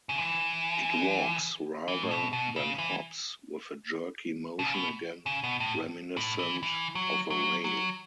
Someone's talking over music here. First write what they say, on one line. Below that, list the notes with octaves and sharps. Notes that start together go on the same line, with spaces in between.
It walks rather than hops, with a jerky motion again reminiscent of a rail.
C#3
E3
E3
A2
B2
B2
C#3
E3
B2
C#3
B2
C#3
B2
A2
A2
E3
E3
F#3
F#3
F#3